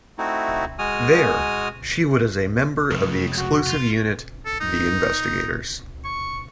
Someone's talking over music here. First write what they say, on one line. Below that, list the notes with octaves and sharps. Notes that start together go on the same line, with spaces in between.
There, she was a member of the exclusive unit "The Investigators".
A3 C4 D#4 E4 F#4
G#3 F#4 G#5 D#6 F6
F1 C#2 C#3
F#4
F4
A4
D#4
C#6